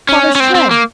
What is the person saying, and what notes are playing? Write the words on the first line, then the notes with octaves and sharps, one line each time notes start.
Father's tread!'
C#4
C#4
C4
C4
A#3